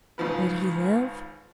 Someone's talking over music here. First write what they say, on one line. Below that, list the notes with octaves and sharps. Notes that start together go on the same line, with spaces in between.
Would he live?
G#1 C#2 D#3 F3 B4